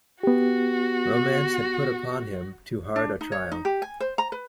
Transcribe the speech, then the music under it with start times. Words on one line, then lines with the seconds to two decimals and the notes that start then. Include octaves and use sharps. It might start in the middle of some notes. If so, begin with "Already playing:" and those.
Romance had put upon him too hard a trial.
0.23 B3 F#4 G4
2.96 D4
3.21 D#4
3.32 C#5
3.52 D#4
3.65 G4
3.82 G#5
4.00 C5
4.18 A#5
4.32 B4